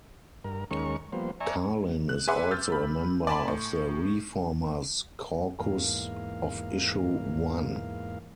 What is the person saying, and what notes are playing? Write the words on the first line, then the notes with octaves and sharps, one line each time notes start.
Carlin is also a member of the ReFormers Caucus of Issue One.
G2 A#4
D#2 G#3 C#4 A#4 C#6
F3 G3 A#3 B3 C5
D5 E5 G#5 A#5 C#6
F#6
G#4 B4 E5 F#5 C6 D6
E6 F6 G6 A6
B5
D5 G#5 A5 B5 C6
A2
E2 G#2 A#3 F5